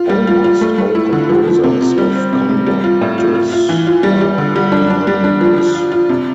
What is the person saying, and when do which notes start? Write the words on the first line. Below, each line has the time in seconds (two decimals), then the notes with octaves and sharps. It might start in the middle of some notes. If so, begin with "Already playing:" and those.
Almost all composers of conductus are anonymous.
Already playing: F4
0.09 G3
0.27 F4
0.44 F4
0.61 A3
0.78 A3
0.95 E4
1.13 D3
1.29 F3
1.47 F3
1.64 C3
1.82 C3
1.98 G3
2.16 C4
2.33 C3
2.49 C3
2.67 G3
2.84 F4
3.01 A2
3.18 F4
3.35 F4
3.52 F4
3.69 E3
3.87 F4
4.03 G3
4.21 G3
4.38 D3
4.56 G3
4.72 D4
4.90 D4
5.07 G3
5.24 D4
5.41 F3
5.58 F3
5.75 F4
5.92 F4
6.09 C3